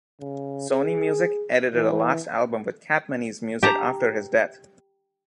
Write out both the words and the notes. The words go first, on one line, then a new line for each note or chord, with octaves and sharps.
Sony Music edited a last album with Capmany's music after his death.
C#3
G#4
E3
G4 A5 A#5